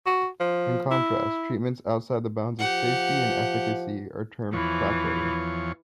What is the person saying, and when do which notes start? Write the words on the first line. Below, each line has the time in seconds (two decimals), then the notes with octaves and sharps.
In contrast, treatments outside the bounds of safety and efficacy are termed quackery.
0.06 F#4
0.40 F3
0.91 E4
2.59 F3 G4 F#5
4.53 E2 E3 F3 C#5